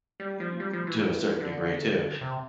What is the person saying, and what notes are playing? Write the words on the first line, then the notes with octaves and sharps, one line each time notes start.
eh, to a certain degree too,
G3
F3
G3
F3
E3
D3
C3